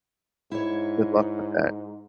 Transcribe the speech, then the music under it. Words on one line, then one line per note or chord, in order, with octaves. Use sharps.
Good luck with that.
G#2 E4 C#5